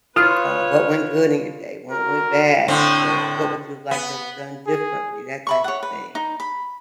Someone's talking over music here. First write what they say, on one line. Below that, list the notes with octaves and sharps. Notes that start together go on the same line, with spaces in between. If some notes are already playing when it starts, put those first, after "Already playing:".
Um, "What went good in your day? What went bad? What what would you have liked to have done differently?" That type of thing.
F4 B4 C#5 D#6 F6
F#4 A#4
A2 D3 C4
B3
G#4
E5 B5 C#6
C#5 F#5
B4
D#4
B5